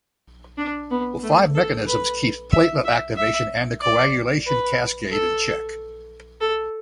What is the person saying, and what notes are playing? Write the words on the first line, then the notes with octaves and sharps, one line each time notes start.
Five mechanisms keep platelet activation and the coagulation cascade in check.
D4
B3
A3
A4
B4
E5
E5
E5
D5
B4
A4
A4